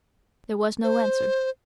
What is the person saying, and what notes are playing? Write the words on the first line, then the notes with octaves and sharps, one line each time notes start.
There was no answer.
C5